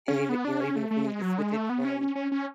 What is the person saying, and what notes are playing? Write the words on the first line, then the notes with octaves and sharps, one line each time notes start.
And even you know, even if we need to switch it from,
C#4
B3
D4
C#4
A3
A3
G#3
F#3
G#3
A3
B3
C#4
C#4
C#4
C#4